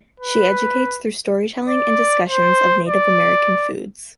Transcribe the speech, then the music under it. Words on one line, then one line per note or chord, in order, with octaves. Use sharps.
She educates through storytelling and discussions of Native American foods.
B4
D5
C5
D5